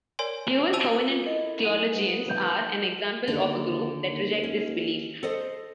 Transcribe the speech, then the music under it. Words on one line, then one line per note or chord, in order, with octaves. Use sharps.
Dual-covenant theologians are an example of a group that reject this belief.
A#4 C#5 D5 G#5 C6
C5 G#5 A5 E6 F7
F4 D6
E4 A4 A#4 D#5
F#3 D#4 F#5 D#7
B4
G6
D#2 D3
D#2
C#4
A4 C5 D#5